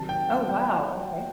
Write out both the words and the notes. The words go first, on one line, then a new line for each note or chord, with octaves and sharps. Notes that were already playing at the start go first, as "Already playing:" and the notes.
Oh, wow, okay.
Already playing: C3 D#3 F#3 A5
G5
F#5
G5